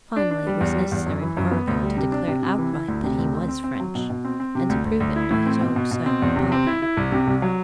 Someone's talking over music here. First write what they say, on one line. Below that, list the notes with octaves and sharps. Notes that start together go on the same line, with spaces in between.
Finally it was necessary for Arago to declare outright that he was French, and to prove it by his old servant Pablo.
D4
D4
G3
E2
G3
E2
F#2
E3
F#2
B3
D2
G3
C3
D4
C3
C3
E3
E4
D2
C3
D2
C4
C4
C4
F#3
B2
B2
C4
C4
C3
D2
D2
D2
E4
A2
C4
B2
B2
B2
C4
E2
C3
C4
E4
E4
C2
C3
C2
F#3